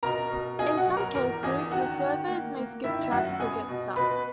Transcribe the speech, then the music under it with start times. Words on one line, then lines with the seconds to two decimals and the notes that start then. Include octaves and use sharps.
In some cases, the servos may skip tracks or get stuck.
0.03 B2 A#4 A#5
0.30 B2
0.59 B2 G#4 G#5
0.77 F#4 F#5
0.87 F#3
0.97 A#4 A#5
1.15 E2 A#4 A#5
1.43 E2 G#4 G#5
1.71 D#3 F#4 F#5
2.00 D#3
2.28 A#3
2.56 A#3
2.84 D#3 E4 E5
3.02 E5
3.11 F#2 F#4 F#5
3.40 B3 G#4 G#5
3.68 B2
3.96 B2 B4 B5